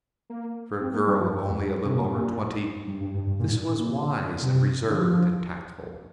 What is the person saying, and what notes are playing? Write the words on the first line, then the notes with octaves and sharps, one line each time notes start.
For a girl of only a little over twenty this was wise and reserved and tactful.
A#3
C4
A#3
G3
F3
G2
F2
G2
C3
A#2
G2
A#2
G2
G2
G2
G2
A#2
G2
A#2
A#2
C3
D3
F3